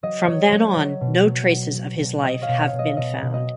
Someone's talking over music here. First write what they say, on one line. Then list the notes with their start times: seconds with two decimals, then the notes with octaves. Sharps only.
From then on no traces of his life have been found.
0.03 F#3 D#5
0.28 F#3 C#5
0.52 F#3 C#5
0.76 F#3
1.01 B2
1.26 F#3
1.50 F#3
1.75 F#3
1.99 B2
2.23 F#3 D#5
2.42 C#5 F5
2.48 B2
2.61 C#5 F5
2.73 B2
2.79 D#5
2.97 B2 D#5
3.22 B2
3.34 D#5